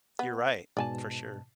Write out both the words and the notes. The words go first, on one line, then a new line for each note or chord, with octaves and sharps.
you're right. For sure.
B3
G#2 B2 D5 G#5 A5